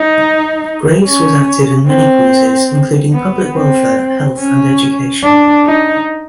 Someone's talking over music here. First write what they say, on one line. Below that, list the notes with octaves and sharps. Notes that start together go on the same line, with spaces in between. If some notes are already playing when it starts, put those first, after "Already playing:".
Graves was active in many causes, including public welfare, health, and education.
Already playing: D#4
C#4
C4
B3
C4
C#4
D4
D#4